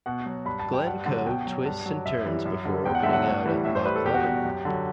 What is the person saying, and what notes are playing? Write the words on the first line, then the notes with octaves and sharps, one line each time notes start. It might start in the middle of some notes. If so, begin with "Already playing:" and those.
Glen Coe twists and turns before opening out at Loch Leven.
B2 F#5
F#3
G2 B5
A5
F#3
G5
G2 F#5
D3 F#3
B2 G5
F#3
G2
F#3
F#2 E5
E3 G3
F#2
D3 G3
E2 G5
F#5
D3 F#3 E5
F#5
A2
E3 G3
A2 E5
C5
G3 B4
A4
E2 G4
F#4
B2 G3 G4
F#2
D3 F#3